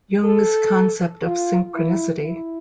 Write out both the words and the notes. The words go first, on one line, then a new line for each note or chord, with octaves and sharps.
Jung's concept of Synchronicity.
A4
F4
E4
E4